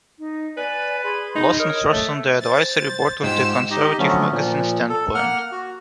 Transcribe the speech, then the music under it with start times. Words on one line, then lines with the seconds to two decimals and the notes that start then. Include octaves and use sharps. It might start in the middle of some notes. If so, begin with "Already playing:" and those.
Lawson serves on the advisory board of the Conservative magazine "Standpoint".
0.18 D#4
0.57 B4 D5 G#5
1.04 G#4 B5 C6
1.36 D#4
1.59 A#4 C#5 D#5 D#6
1.92 A3 E5
2.41 C5 A6
3.23 G#2 F4 G4 E6
3.71 D#4 G4 D#5
3.99 D3 F3 F#3 A3 B3 C#4
4.32 A#2 F3
4.90 A4
5.15 A#3 F#5 F6
5.52 F#4